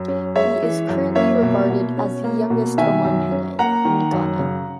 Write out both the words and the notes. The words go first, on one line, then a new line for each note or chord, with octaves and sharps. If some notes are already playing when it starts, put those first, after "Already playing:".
He is currently regarded as the youngest Omanhene in Ghana.
Already playing: F#2
C#4
G#3 C#5 E5
E3
F#2
A#3 C#5 E5
B2
B2
C#4
A#3
B2
D#3 E5 G#5
F#2
C#4
A#3 F#5 A#5
D#3
F#2
C#3